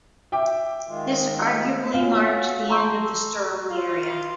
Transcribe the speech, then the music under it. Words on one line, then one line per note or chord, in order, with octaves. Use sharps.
This arguably marked the end of the Sterling Area.
E5 G5 D6
D#3 G#3 F4
C#4 F4 F#4
A5 A#5 C6 C#6 E6 G6
F4